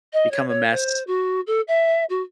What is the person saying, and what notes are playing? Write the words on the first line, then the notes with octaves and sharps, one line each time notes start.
become a mess.
D#5
C#5
C#5
C5
F#4
A4
E5
F#4